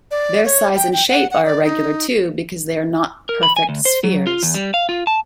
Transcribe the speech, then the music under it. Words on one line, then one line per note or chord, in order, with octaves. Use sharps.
Their size and shape are irregular too because they are not perfect spheres.
D5
C#5
G5
G5
F#5
F#5
D5
D#4
A#4
B5
G#5
D2
C5
F#3
F4
E2
G3
F5
F4
A5